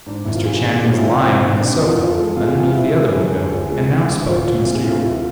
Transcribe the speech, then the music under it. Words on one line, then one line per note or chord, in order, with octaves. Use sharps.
Mr. Channing was lying on his sofa underneath the other window, and now spoke to Mr. Yorke.
G#2 D4
G#1 E4
F4
E3 G#4
G#1
G#2 G#4
F4
E4
G#1 F4
E3 C4
G#1
C3 D4
E2
F4
F3
A4
G#3
C3 F4
G#4
E2 F4
F3 E4
G#3
D3 G#4
D2
F3 G#4
G#3
D3 E4
D2
F3 F4
G#3
C3 F4
G#4
D2 F4
E3 E4
F4